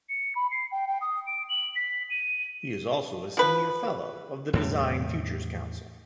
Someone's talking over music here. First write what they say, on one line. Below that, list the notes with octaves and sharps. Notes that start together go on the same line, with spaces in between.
He is also a Senior Fellow of the Design Futures Council.
C#7
B5
C7
G5
G5
D#6
D7
F#7
B6
D#7
F3 B4
E2 A2 G3